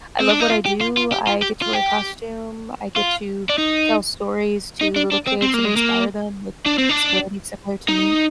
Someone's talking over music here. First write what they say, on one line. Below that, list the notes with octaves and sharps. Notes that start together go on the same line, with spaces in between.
I love what I do, I get to wear a costume, I get to tell stories to little kids and inspire them with disabilities similar to me
C4
D4
D#4
F4
G4
F4
F4
G4
F4
G4
F4
G4
F4
D4
D#4
D#4
D4
D4
C4
C4
A#3
G#3
A#3
D4
C4
D4
D#4